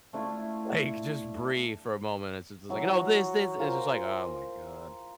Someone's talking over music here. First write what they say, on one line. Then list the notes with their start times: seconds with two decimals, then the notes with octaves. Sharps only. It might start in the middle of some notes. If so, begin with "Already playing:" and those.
Like, just breathe for a moment. It's just is like, "You know, this, this!" It's just like, "Oh my god."
0.13 A3 D4 E4 F4
2.69 E3 F#3
2.89 F#4
3.60 F4 A#4 C5 G#5